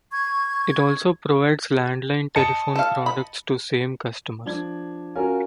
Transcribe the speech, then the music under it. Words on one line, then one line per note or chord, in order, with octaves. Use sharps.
It also provides landline telephone products to the same customers.
C#6 G#6
D#5 A5 C#7
A4 F5
B5
F3 D4 G#6
C#4 F4 F#4 A#4 G#5